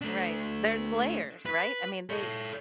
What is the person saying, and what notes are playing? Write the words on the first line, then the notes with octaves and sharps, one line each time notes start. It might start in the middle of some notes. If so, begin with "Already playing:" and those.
Right, there's layers, right, I mean, they,
A3 D4
B4 B5
A4 C#5